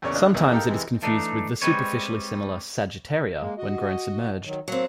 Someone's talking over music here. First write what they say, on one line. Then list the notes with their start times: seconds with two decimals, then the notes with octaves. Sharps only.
Sometimes it is confused with the superficially similar "Sagittaria" when grown submerged.
0.02 E2 A#2 C#3 C#5 D5 C#6
0.15 G#3 D4 D#5 F5 F#6
0.34 B1 E2 A#2 G#3
0.51 D#4 G4 A4 A#4 F5 G5
0.68 C3 E3 G#3
1.02 E3 A3 D4 D#4
1.62 G3 G#3 C4 B4 C#5
3.39 G#3 A#3
3.58 F#4 D#5
4.45 D#3 F#3
4.68 F#3 A#3 C4